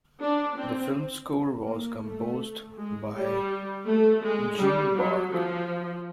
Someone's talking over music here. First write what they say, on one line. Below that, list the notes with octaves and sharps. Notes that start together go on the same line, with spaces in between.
The film score was composed by Ji Bark.
D4
C4
A#3
A3
G#3
G3
A3
G#3
G3
F#3
F3